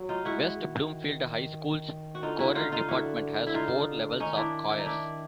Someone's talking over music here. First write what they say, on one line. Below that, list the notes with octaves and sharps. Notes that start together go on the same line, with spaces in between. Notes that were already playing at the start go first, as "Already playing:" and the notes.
West Bloomfield High School's choral department has four levels of choirs.
Already playing: F#3
D#4 F4
G#3 E4 F#4
D#3
F#4
D3 D#4 F4
E4 F#4
D#4 F4
D#4 F4
D3 E4 F#4
E4
D#4 F4
D#3 C#4 D#4
D4 E4
E4
D#4
D4 E4